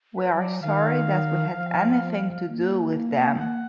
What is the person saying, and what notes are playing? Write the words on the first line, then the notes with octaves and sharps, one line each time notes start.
We are sorry that we had anything to do with them.
B4
F#3
D5
D#3 F5
F3
A#3
F#5